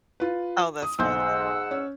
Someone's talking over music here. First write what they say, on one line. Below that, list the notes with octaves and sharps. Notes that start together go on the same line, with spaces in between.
Oh, that's funny.
F4 B4
D#6
B1 G#2 F#5 C6 E6 G6
C#4